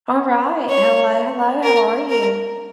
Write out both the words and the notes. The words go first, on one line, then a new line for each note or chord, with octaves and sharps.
Alright, hello, hello, how are you?
C#5
A#4
A#4